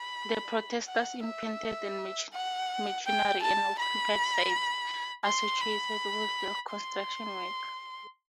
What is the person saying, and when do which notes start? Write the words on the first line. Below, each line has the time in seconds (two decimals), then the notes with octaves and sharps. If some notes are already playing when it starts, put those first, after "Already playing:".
Protesters impeded machinery and occupied sites associated with the construction work.
Already playing: B5
0.86 F#5
1.23 E5
2.32 F#5
3.06 G5
3.42 A5
3.79 B5
5.25 C6
5.61 B5
6.71 C6